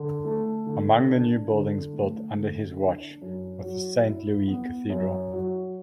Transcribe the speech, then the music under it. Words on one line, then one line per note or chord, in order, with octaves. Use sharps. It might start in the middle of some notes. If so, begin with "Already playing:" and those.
Among the new buildings built under his watch was the Saint Louis Cathedral.
Already playing: D3
A3
D3
D4
D3
A3
D3
D4
F#2
F#3
E4
B3
F#2
F#3